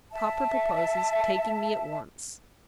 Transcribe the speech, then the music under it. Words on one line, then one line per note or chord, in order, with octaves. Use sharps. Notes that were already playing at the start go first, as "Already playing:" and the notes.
"Papa proposes taking me at once."
E5 A5